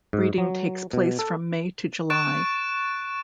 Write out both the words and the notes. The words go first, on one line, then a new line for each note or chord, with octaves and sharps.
Breeding takes place from May to July.
G#2
F#3
B2
A4
C#6 F#6 A6 D7 E7